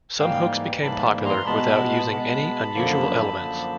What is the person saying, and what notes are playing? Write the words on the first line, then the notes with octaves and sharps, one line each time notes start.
Some hooks become popular without using any unusual elements.
G#2 E3 G3 A#3 F5 G5
G#2 E3 G3 A#3 A5 B5
A#5 C6
B2 G#3 B3 A5 B5
B2 G#3 B3
F#2 D3 F3 A#3
F#2 D3 F3 A#3